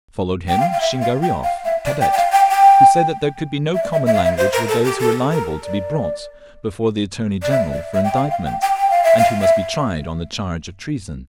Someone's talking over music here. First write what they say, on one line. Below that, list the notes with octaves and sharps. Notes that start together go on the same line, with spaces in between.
Followed him Shingariov, Cadet, who said that there could be no common language with those who were liable to be brought before the Attorney General for indictment, and who must be tried on the charge of treason....
G5
F5
F5
E5
F5
G5
F5
E5
D5
G5
G5
F5
G5
G5
E5
D5
E5
E5
F5
E5
C5
A#4
A4
G4
A4
A#4
D5
D5
E5
D5
E5
G5
F5
F5
G5
G5
G5
F5
E5
F5
E5